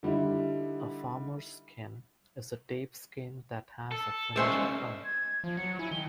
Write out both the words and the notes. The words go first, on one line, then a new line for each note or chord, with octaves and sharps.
A "farmer's sink" is a deep sink that has a finished front.
D3 G3 D#4 E4
A4
C2 G#2 C#4 C5 E5
G#6
F3
F#3 C#7
E4 G#5
D#3 G7